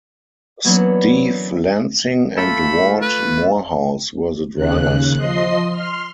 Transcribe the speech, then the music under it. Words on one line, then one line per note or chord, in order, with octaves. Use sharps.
Steve Lansing and Ward Morehouse were the drivers.
E3 F#3 A#3 B3 C#4 D4
A3 F4 A4 B5
B4
D#2 C#3 F#6
F3 D#5 C6 C7
C6 F6